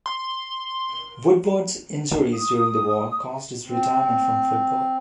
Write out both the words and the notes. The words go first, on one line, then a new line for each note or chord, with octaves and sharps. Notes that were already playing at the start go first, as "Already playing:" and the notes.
Woodward's injuries during the war caused his retirement from football.
C6
D#6
C4